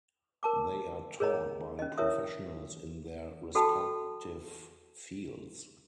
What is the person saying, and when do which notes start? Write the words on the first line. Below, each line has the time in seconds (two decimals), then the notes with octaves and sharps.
They are taught by professionals in their respective fields.
0.43 A#4 A5 D6
1.20 G#4 A#4 C#5 D#5 A#5
1.79 C#4 D#5
1.97 E4 A#4 C#5 E5 D#6
3.55 F#4 A4 G5 A5 B5